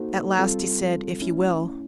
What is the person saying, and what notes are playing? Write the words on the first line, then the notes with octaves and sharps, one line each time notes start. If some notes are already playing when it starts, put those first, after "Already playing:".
At last he said, "If you will."
Already playing: A#3 D#4 F#4 A4 C5
G3 C4 F4 A4
A3 C#4 E4